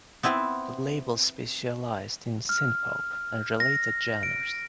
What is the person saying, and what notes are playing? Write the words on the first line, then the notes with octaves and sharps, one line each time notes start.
The label specialized in synthpop and related genres.
B3 C4 E4 B4 C5
F6
A#6
D7